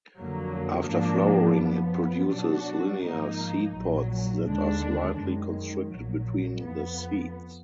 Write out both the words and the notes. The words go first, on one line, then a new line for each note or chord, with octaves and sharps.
After flowering it produces linear Seed pods that are slightly constricted between the seeds.
F2 D3 F#3 A#3
G#2 F3 A#3 D4
F#2 F3 B3
B2 F#3 D4 F#4
G#2 F3 A#3 D#4
A#1 A#2 F#3
D#2 D3 G#3 D4
F#2 D#3 G#3
A#1 A#2 F#3
F2 F3 B3